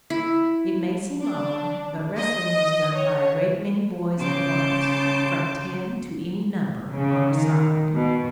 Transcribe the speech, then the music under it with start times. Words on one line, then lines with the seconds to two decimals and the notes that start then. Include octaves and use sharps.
It may seem odd, but wrestling was done by a great many boys at once--from ten to any number on a side.
0.10 E4
1.21 D4
2.17 D#5
2.95 C#5
4.18 C#3 A5 C6 D6 G6
6.93 C#3
7.33 D#3
7.95 B2